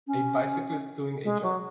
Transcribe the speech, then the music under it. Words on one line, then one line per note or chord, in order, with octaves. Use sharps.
A bicyclist doing a jump.
C#4
G#3
F#3